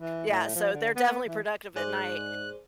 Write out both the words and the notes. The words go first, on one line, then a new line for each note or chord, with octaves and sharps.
yeah, so they're definitely productive at night.
E3
A2
F3
D3
B3
E3
G#2 G#4 C5 D5 F#6